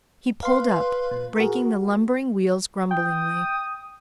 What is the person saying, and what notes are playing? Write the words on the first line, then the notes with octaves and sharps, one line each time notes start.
He pulled up, braking the lumbering wheels grumblingly.
B4 F5 C6
A#2
F#4 G#4 A#4
G5 D#6